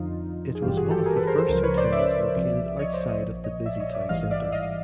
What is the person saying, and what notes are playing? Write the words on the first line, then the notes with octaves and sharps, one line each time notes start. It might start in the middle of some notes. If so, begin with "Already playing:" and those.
It was one of the first hotels located outside of the busy town centre.
Already playing: F2 D3 F3 D#4 F4
G#4
G#1 G2 E3 G3 F4 G4
F#4 G#4
G4 A4
G#4 A#4
A4 B4
A#4 C5
A#4 C5
C#2 C#3 F3 A#4 C5
B4 C#5
C5 D5
D5 E5
C2 C3 F3
C#5 D#5
C5 D5
C#5 D#5
A#1 A#2 F3
C#5 D#5
D5 E5
C#5 D#5
D5 E5
A1 G#2 E3 G3 D#5 F5
D5 E5
D#5 F5